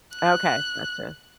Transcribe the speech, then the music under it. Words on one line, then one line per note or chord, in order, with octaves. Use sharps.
Okay. Gotcha.
F#6